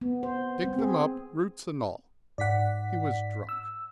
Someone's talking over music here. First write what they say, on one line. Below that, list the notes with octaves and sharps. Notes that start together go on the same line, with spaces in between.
Dig them up, roots and all.' He was drunk.
B3
C5
C4
G#4
G#2 D5 F#5 B6
E6